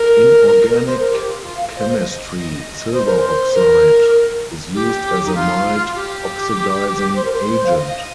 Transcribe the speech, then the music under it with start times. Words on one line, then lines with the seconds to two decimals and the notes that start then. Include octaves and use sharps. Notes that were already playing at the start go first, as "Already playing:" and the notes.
In organic chemistry, silver oxide is used as a mild oxidizing agent.
Already playing: A#4
0.72 D#5
0.86 C5
0.99 A#4
1.11 G4
1.26 F4
1.41 F4
1.56 F5
1.68 D#5
1.78 C5
1.89 D#5
2.92 C5
3.06 A#4
3.19 C5
3.53 A#4
4.74 G4
5.25 D#4
5.34 F4
5.86 F4
5.95 G4
7.15 C5
7.25 A#4
7.32 C5
7.66 F5
7.76 D#5